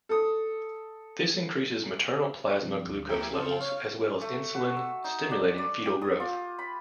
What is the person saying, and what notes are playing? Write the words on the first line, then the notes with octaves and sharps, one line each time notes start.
This increases maternal plasma glucose levels as well as insulin, stimulating fetal growth.
A4 D#6
G2 C3 F3
D2
A#3 E4 G4
F#3
C#3 C4 F4 A4
C#5 F5
A3
F#4
E6
D#4
D4
D5
G4
D#6
F4
B5